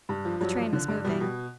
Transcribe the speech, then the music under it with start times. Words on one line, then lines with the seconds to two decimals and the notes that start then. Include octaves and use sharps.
The train was moving.
0.09 G2
0.25 F3
0.41 G2 F#3
0.56 F3
0.73 D3
0.88 G2
1.04 B2 G3
1.20 B2